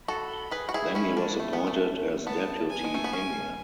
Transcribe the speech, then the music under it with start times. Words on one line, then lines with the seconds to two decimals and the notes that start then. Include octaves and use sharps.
Then he was appointed as Deputy Emir.
0.08 F#4 A4 B5
0.51 G#4 B4
0.69 F#4
0.74 E4 G#4
0.95 C#4 E4
1.17 D4
1.40 A3
1.53 B3
1.67 A3
2.26 B3 A5
2.69 G#5
2.84 G#3
2.94 A3
3.04 B3
3.13 C#4